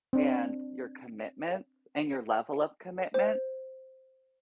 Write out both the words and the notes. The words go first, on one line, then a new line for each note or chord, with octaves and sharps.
and your commitment and your level of commitment
C4 D4
C5